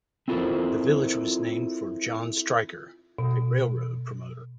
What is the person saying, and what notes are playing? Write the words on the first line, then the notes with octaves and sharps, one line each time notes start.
The village was named for John Stryker, a railroad promoter.
C4 E4 F4 A4 A#4 C5
B2